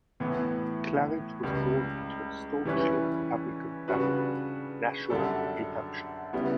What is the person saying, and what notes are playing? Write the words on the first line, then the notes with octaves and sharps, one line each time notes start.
Clarridge was born into a "staunchly Republican family" in Nashua, New Hampshire.
A2 E3 B3
C#2 C#3 G3
E3 G3 C#4 E4 B4
C#3 G3 D4 F#4 B4
F#2 D3 G3 D4 A4
C#3 G3 B3 E4